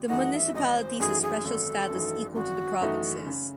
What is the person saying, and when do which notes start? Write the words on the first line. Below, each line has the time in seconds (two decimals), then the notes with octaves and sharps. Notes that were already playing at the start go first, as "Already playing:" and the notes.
The municipalities have special status equal to the provinces.
Already playing: G#1
0.09 F#2 E3 A3 D#4 F#5
0.32 F#5
0.36 E5
0.54 G#1 D#5
0.77 C5
1.00 F#2 E3 A3 D#4 G#4
1.22 G#4
1.45 G#1 A4
1.90 F#2 E3 A3 D#4
2.35 G#1 F#4
2.81 F#2 E3 A3 D#4
3.27 C#3